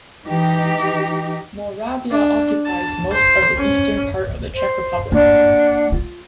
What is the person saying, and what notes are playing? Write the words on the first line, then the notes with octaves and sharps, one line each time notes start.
Moravia occupies most of the eastern part of the Czech Republic.
E3 D#4 G4
D4
A5
C5
C#4
C5
A#3 D4 F#5
F4